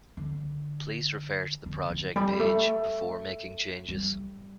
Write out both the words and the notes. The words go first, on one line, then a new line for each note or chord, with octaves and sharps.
Please refer to the project page, before making changes.
D3
D3
D3
G3
A3
G3